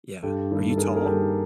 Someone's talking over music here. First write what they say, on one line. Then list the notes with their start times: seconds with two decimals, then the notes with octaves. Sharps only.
Yeah. Are you tall?
0.23 G2 G4 A4
0.51 D#3 G3 A#3
0.70 A4
0.77 G2 G#4 A#4
0.96 A#4
1.05 D#3 G3 A#3 G4 A4